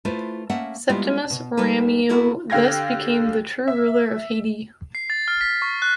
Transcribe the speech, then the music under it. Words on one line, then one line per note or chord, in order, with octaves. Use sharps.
Septimus Rameau thus became the true ruler of Haiti.
A3 E4 F4 B4 C5
A3 A#3 C#4 E5 F#5
G3 G#3 A#3 B3 E4 F4
B2
G3 A3 D#4 A4 B4
B3 E4 F#4 A4 A#4
D3 G4 F5 G5 G#6 A#6
E5
C7
A6
F6
B6
C#6
F#6